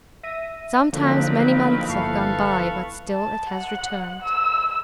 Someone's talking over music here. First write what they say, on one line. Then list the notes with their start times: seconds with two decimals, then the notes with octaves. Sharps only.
Sometimes, many months have gone by, but still it has returned.'
0.23 E5 A#6 D#7
0.93 D3 D#3 F3 F#3 A#3 C4 B4
1.89 G1 E3 A4 B4 F5 C#6 C7
3.10 A5
3.50 F#5
4.22 E6